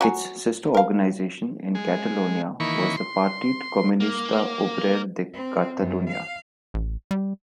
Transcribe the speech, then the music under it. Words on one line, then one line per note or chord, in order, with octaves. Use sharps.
Its sister organisation in Catalonia was the Partit Comunista Obrer de Catalunya.
F#3 F#4 G#5
A#4 F5
G#3
D#3 E3 A#3 B5 C#6
C6
A#3
C4
F#2
F5
A1
G3